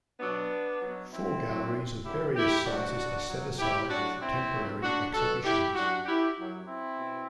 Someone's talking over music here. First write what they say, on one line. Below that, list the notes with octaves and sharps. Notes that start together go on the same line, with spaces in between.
Four galleries of various sizes are set aside for temporary exhibitions.
B2 F#3 B3 D4
B2 F#3
C4 E4
F#2 F#3
F#2 D3 F#3 E4 G4
E4 G4
B2 F#3 D4 F#4
B2 F#3
E4 G4
A2 F#3 D4 F#4
C4 E4
A2 F#3
D4 F#4
B2 F#3 F#4 A4
E4 G4
F#2 F#3 D4 F#4
E4 G4
F#2 F#3
C4 E4
B2